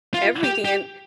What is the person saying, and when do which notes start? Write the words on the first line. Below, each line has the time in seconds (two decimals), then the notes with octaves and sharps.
everything, and
0.14 F4
0.44 G4
0.65 G4